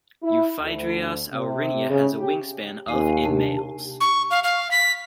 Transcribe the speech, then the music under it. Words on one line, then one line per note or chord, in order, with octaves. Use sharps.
"Euphydryas aurinia" has a wingspan of in males.
E4
D2
C3
C#3
G4
D#2 F5 G#5
C3 D4
C#6
F5
F5
B6